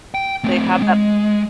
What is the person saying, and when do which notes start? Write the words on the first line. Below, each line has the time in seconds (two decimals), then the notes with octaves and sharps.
they have that
0.14 G5
0.44 A3 C4
0.82 G#3